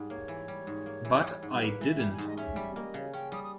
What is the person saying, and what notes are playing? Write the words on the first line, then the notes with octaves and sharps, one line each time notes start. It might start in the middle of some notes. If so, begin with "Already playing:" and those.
But I didn't.
Already playing: G#2 G3
A#3 C#5
E3
G3
G#2
A#3
E3
G3
G#2
A#3 B4
E3
E5
G3
G#5
G#2
D#5
C#4 E5
G3
A#3 D#5
C#3
C#4 G5
G3 D#6
D#6